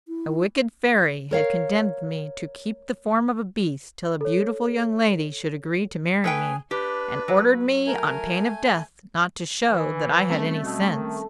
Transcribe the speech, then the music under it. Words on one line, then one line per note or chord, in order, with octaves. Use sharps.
A wicked fairy had condemned me to keep the form of a beast till a beautiful young lady should agree to marry me, and ordered me, on pain of death, not to show that I had any sense.
E4
A#4 C#5 F5
A4 C#5
A3 G#4 B4 G5 G#5
D4 G4 B4
F#3
A3 A#4 G#5
E3 G#5
G3 A3 C4 C#4
B2
D#3